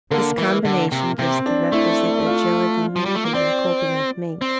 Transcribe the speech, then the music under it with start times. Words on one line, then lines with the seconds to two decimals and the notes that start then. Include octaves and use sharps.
This combination gives the requisite agility needed in coping with mink.
0.11 D3 A#3
0.38 E3
0.65 D3
0.92 C3
1.19 C3 C4
1.46 D4
1.72 A3 E4
2.26 F4
2.96 F3
3.05 G3
3.15 A3
3.25 A#3
3.34 C4 D5
4.42 C4